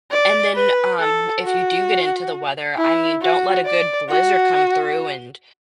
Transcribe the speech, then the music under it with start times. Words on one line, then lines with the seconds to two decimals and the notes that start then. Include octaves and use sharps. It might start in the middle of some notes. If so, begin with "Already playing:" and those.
and then, um, w if you do get into the weather, I mean, don't let a good blizzard come through and
0.11 D5
0.55 B4
1.00 A4
1.44 F#4
2.77 E4
3.22 F#4
3.65 D5
4.10 F#4